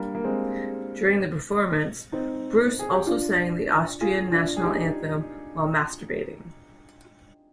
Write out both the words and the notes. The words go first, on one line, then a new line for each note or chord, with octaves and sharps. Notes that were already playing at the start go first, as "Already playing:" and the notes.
During the performance Brus also sang the Austrian National Anthem while masturbating.
Already playing: G3 A#3 D4
A#3
G#3 C4
C4 D#4
G#4
G4
D4 F4
F4 G#4
D4 F4
G#4
D#4 G4